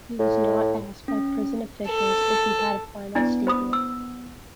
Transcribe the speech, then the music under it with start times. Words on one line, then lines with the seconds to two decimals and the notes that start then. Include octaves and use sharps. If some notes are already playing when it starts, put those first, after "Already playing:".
He was not asked by prison officials if he had a final statement.
0.19 A2
1.08 C#4
1.89 A4
3.15 B3 D4 E4 D5
3.47 C5 B5 D#6
3.73 E6